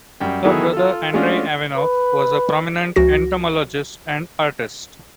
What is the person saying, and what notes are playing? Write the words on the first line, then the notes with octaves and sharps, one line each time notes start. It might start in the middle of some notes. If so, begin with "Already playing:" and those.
Her brother Andrey Avinoff was a prominent entomologist and artist.
F#2 G3 G5
D#3 F#3 B3 E4 G#4 A4
F4 A4
G#3 A3 C#4 D4 F4 F#4
B4
C#2 F3 F#4 A#6